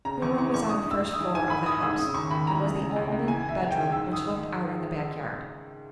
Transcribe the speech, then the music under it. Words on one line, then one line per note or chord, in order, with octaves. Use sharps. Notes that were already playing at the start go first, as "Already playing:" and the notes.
Her room was on the first floor of the house, and was the only bedroom which looked out on the back-yard.
C#3 A#5
E2 C#6
E3 C#6
E2 C#6
G2 D#6
G2
E6
G2
D#6
E3
G#2 G#5
D#3 B5
D#3 D#6
G#2 E6
C#3 D#6
D#2 C#6
D#2 B5
E3 A#5
C#2
C#3
C#2
C#2
E3 G#5
E3 E5
E3
G5
C#2
G#2 E6
D#3
D#6
D#3